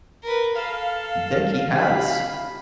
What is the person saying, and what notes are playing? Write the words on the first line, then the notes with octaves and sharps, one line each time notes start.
"You think he has?"
A#4 B4
A4 F5
B5